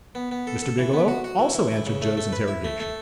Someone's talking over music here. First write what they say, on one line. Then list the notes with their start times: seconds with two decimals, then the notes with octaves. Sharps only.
Mr. Biggielow also answered Joe's interrogation.
0.15 B3
0.31 B3
0.47 A4
0.62 A4
0.78 E3
0.93 B3
1.08 F#4
1.24 F#4
1.39 E3
1.55 E3
1.71 E3
1.87 C#3
2.02 A3
2.17 A3
2.33 B4
2.48 E4
2.64 A3
2.80 A3